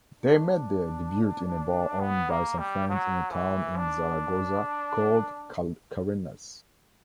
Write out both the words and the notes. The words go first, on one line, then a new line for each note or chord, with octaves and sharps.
They made their debut in a bar owned by some friends in a town in Zaragoza called Carenas.
D4
B3
A#3
G3
F#3
E3
D4